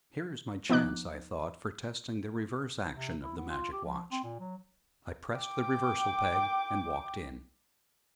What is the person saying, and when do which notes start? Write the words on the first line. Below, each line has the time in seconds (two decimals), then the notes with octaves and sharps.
"Here is my chance," I thought, "for testing the reverse action of the Magic Watch!" I pressed the 'reversal-peg' and walked in.
0.69 F3 B3 D#4 D6 F#6
2.93 C3
3.23 E4
3.37 B3
3.50 F4
3.72 G4
3.85 F3
4.12 C4
4.24 A#2
4.40 F#3
5.38 G5 D6